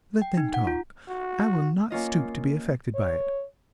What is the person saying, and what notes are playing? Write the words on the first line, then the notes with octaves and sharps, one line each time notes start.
Let them talk--I will not stoop to be affected by it.
G5
D#4
F#5
F4
F#4
A#3 C#4 F4 D#5
C#5